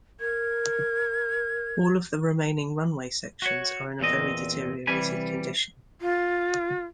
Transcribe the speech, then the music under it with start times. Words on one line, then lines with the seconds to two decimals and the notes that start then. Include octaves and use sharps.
All of the remaining runway sections are in a very deteriorated condition.
0.20 A#4 G#6
3.42 F#4 C#5
4.00 E2 A#2 C4 D#5
4.87 C3 E3 G3 G#5 B5
6.01 F4